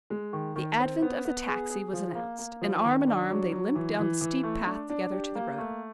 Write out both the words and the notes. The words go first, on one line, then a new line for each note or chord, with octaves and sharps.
The advent of the taxi was announced, and arm in arm they limped down the steep path together to the road.
G#3
D#3
D#3
C4
B3
B3
G#4
G#4
F3
A#3
A#3
F3
D#3
D4
F#3
F#3
E3
E3
E3
A3
D4
D4
G4
A#3
A3